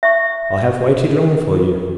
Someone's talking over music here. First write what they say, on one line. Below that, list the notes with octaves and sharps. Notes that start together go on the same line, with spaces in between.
I have waited long for you.
E5 C#6